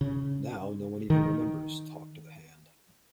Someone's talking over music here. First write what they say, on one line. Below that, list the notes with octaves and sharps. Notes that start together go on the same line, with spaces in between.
Now no one even remembers 'Talk to the hand'.
C#3
D#3